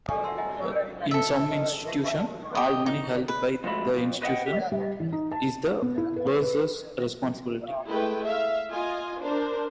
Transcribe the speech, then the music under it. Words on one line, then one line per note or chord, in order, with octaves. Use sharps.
In some institutions, all money held by the institution is the bursar's responsibility.
A4 D5 G5 G#5 C#6 D#6
E5 F#5 G5 A5 C6 E6
D#5 E5 F#5 G#5 A#5
A#4 C#5
A4 E5
G4 D#5
D#4
B4
F3 G#3 A3 F#4 E5 B5
F2
B4 D#5 E5 F#5 G5
G4
G3
E3
D#4
A5
B3
E4
B4
B4
G#3 A3 E4 B4 G5
E5 F5
F4 D#5 G#5
D4 A#4 C5